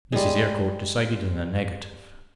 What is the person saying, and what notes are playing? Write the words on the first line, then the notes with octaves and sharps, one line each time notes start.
Mrs. Eyrecourt decided in the negative.
G3 G#3